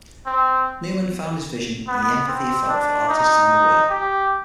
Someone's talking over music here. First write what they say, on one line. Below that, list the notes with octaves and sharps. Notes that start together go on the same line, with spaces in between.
Newman found his vision in the empathy he felt for artists and their work.
C4
B3
C4
D4
D#4
G4